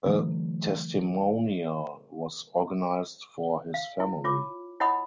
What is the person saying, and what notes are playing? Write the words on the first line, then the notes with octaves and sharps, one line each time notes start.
A testimonial was organised for his family.
D3 E3 F#3 A3
F5
E4
F4 C#5 D6
E4 C#5 D#5 F#5 B5 D#6